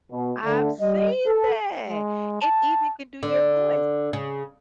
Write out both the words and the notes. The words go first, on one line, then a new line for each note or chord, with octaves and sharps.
I've seen that! It even can do your voice.
B2
D3 A3
G3 D#5
A4
G#3
A5
D3
C#3